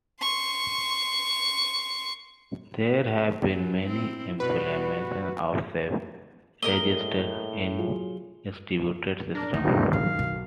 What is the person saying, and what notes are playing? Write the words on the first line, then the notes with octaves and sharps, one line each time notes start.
There have been many implementations of safe register in distributed systems.
C6 C#6
F#2
C4 E4
B2 G3 F#4 B4
A2 A#3 G#4 A#4 D#5 D#6 G7
F#3 F4 G#4
D4 A#4
D2 D#3 D#4
F#2 F5
B1